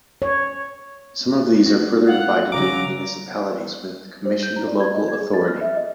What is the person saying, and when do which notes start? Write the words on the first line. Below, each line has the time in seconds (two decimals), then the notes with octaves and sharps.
Some of these are further divided into Municipalities with Commissioned Local Authority.
0.22 C#5
1.66 F#4
2.07 F5 F#5
2.52 C#3 F#3 A#5 D6
4.26 C5
4.43 G6
4.56 A#5
4.67 D5
4.80 G#6
4.95 D#5
5.08 G#6
5.21 G#4
5.34 A6
5.48 F6
5.61 E5
5.77 D#5